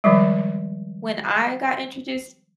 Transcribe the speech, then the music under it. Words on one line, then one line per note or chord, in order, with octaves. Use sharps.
when I got introduced
D#3 F3 G3 G#3